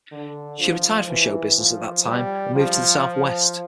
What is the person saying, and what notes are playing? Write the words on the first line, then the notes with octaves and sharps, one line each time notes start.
She retired from show business at that time and moved to the Southwest.
D3
F3
E3
F3
G3
F3